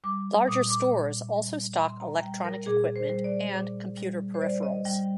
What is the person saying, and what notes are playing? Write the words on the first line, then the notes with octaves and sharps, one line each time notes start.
Larger stores also stock electronic equipment and computer peripherals.
G3 D6
A#2 D#6
D6
A#2
G3
A#2 C6
A#5
G3 G5
A#4
A#2 G#4
C5
G3
D5
A#2
G3
C5
G3 D5
D#5
G3 G5